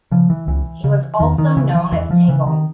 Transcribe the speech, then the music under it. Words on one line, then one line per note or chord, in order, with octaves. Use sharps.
He was also known as Taejong.
C#3 F3
E3
C#2 E3
C#3
E2 D#3
D#3
C#3 E3
E3
E2 E3
F3
C#3 E3
D#3